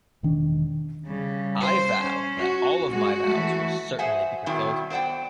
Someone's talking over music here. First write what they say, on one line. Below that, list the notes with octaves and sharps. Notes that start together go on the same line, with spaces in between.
I vow that all of my vows will certainly be fulfilled.
E1 D#3 D4
C#3 G3
C5
C#4
F#4
G#3 F#4
E3 A3
G#4 C5 E5 F#5 G#5
B2 D#3 F#3 G3 C4 E4
B3 C5 D5 F#5 G5